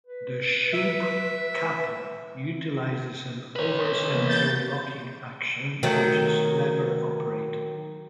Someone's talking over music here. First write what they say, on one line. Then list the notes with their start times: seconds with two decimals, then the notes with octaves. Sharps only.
The Shubb Capo utilises an "over-centre" locking action, which is lever operated.
0.06 B4
0.73 E5
3.56 B4 C#5
4.15 E3 A#3 B3
4.29 G6 A6
5.83 D#3 F#3 A3